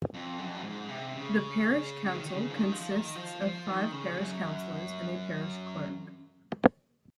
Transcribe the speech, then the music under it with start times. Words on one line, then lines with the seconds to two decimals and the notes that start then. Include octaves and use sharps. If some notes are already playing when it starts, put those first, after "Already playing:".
The parish council consists of five parish councillors and a parish clerk.
0.14 F2
0.38 F#2
0.47 F2
0.55 F#2
0.63 G#2
0.89 C3
1.15 C#3
2.06 C#3
2.15 D#3
2.26 D#3
2.34 C#3
2.49 F3
2.53 D#3
2.72 F3
2.91 D#3
3.15 F3
3.41 F3
3.67 D#3
3.92 C#3
4.17 F#2